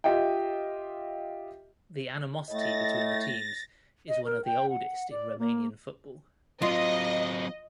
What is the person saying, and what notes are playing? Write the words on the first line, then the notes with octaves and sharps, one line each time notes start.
The animosity between the teams is one of the oldest in Romanian football.
F4 G4 D#5 E5 G5
A2 A3 D#5 A6 A#6
D#5
A#4
G5
F#5
D5
A#3
F#3 C4 F4 D#5